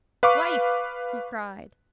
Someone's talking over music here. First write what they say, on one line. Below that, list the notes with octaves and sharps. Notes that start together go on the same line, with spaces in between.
"Wife!" he cried.
B4 F5 C#6 D6